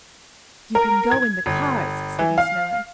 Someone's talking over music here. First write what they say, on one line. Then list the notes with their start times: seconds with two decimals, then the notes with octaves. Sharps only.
"You can go in the cars," said Miss Miller.
0.75 A#4
1.11 G#6
1.46 G1
2.19 E3
2.38 F5